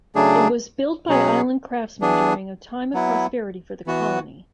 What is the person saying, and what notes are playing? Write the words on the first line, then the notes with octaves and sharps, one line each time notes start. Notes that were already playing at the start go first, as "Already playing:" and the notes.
It was built by Island craftsmen during a time of prosperity for the colony.
C#3 F#3 A3 D4 G#4
B2 F#3 C#4 G#4
E3 B3 D4 G#4
F#3 B3 E4
E3 B3 F#4